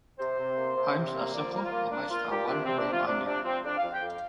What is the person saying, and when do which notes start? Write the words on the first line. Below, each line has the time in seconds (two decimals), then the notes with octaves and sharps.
Homes are simple and most are one room only.
0.19 C3 C5
0.39 C3
0.58 A#3
0.77 C3
0.96 C3
1.15 A#3
1.34 F3 D5
1.53 A#3
1.63 F4
1.72 A#3
1.92 A#3 D4
2.11 A#3 F4
2.29 A#2 G4
2.49 C3 D4
2.64 C3 C4
2.78 D4
2.87 C3 F4
3.06 C3 D4
3.25 C3 D4
3.44 F3 C4
3.64 F2 D4
3.77 F5
3.83 F2
3.92 G5
4.02 F2 F5